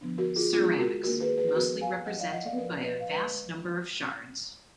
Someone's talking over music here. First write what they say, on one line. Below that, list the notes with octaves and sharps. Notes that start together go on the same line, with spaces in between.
Ceramics: Mostly represented by a vast number of shards.
D3 F3 B3 D4
F#4 A#4
F4 G#4
D3 G#3 B3 D4 F4 G#4
F#4 A#4
D#3 A#3 D4 F#4 A#4
G#4 B4
G#4 B4
B4
F3 B3 D4 F#4 A#4
F5 G#5
F#3 D4 D#5 F#5
D5 F5
D#5 F#5
D5 F5
B4
F3 A#3 D4 A#4 D5
D5
B4 D#5
F5
D3 G#3 D4 B4 D#5